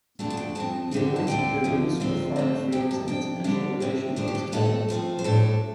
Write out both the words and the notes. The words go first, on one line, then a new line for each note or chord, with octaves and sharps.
He appointed her Minister of Foreign Affairs and International Relations in his cabinet.
F2 D3 A3 D4 A5
A5
G5
F2 F3 C4 A5
G2 D3 F3 A3 C4
A5
D2 D3 A3 C4 G5
D2 D3 F3
D2 C3 F3 C4
A2 A3 C4
F2 C3 G5
A5
F2 F3 D4 G5
F2 D3 G3 D4
F2 C3 F3 C4
G2 F3 A3 D4 C5
G4
A4
A2 A3 C4 A4
F2 F3 A3 C4
C5
A2 G3 D4 A4